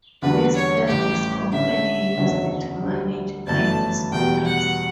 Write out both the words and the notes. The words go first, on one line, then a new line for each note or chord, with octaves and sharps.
This test is often used to manage eye disorders.
E2 D3 G3 D4 F#4 B4
C#5
A1 A2 G3 G4
D3 A3 C#4 E5
F#1 E2 D3 F#3 C#4
D2 D3 G3
G1 F#2 E3 A3 A5
E2 B2 G3 G5
F#5